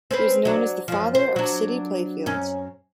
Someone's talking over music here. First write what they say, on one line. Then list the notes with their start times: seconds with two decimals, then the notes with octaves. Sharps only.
He was known as the "Father of City Playfields".
0.11 C4 C#4 B4
0.45 F#3 D4
0.88 F#2 F3
1.15 C5
1.36 F#3 D4
2.26 F#2 C#4